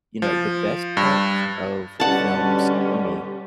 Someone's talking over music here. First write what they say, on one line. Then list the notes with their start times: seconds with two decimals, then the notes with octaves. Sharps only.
you know, the best parts of films for me
0.22 F3
0.97 G2
2.00 B2 D3 G3 C#4 F#5 A5